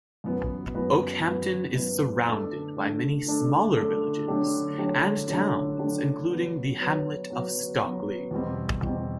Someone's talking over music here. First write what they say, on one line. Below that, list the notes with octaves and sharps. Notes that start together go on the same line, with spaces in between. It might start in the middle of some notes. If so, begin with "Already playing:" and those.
Okehampton is surrounded by many smaller villages and towns including the hamlet of Stockley.
F#2 E3 B3 F#4 B4
F#2 E3 B3 F#4 B4
F#2 E3 B3 F#4 B4
F#2 E3 B3 F#4 B4
D3 A3 D4 A4
D3 A3 D4 A4
D3 A3 D4 A4
D3 A3 D4 A4
D3 F#3 A3 D4 G4
D3 F#3 A3 D4 G4
D3 F#3 A3 D4 G4
D3 F#3 A3 D4 G4
F#3 B3 F#4 B4
F#3 B3 F#4 B4
F#3 B3 F#4 B4
F#3 B3 F#4 B4
E2 B2 G3 C4
E2 B2 G3 C4